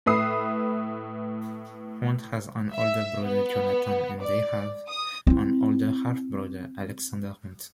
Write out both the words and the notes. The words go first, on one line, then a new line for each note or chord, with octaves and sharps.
Hunt has an older brother, Jonathan, and they have an older half-brother, Alexander Hunt.
A2 B4 E5 D#6 C7
E5
B3
D5
D#6
C4 E4